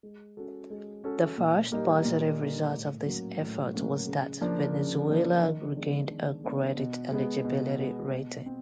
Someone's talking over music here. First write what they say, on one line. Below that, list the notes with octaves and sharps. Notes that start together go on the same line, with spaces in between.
The first positive result of this effort was that Venezuela regained a credit-eligibility rating.
G#3
C#4 F#4 A4
G#3
C#4 F#4 A4
A#2
G3 A#3 D#4
A#2
G3 A#3 D#4
A2
F#3 A#3 C#4 F#4
A2
F#3 A#3 C#4 F#4
C#3
F3 A#3 D4
C#3
F3 A#3 D4
D#3
G#3 B3 D4
D#3
G#3 B3 D4
B2
G#3 B3
B2
G#3 B3
B2
C4